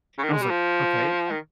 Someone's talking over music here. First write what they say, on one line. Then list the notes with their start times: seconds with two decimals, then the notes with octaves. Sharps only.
I was like, "Okay, I've"
0.18 C#3
0.23 D#3
0.32 G#3
0.42 G3
0.50 F3
1.31 D#3